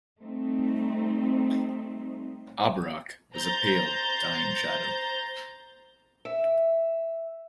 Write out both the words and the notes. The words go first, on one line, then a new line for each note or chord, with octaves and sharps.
Abarrach was a pale, dying shadow.
G3 A3 C4 D#4
C5 A#5 G6 A6
E5